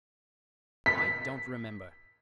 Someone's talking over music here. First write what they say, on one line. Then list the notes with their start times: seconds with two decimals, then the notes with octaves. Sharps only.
I don't remember....
0.86 B6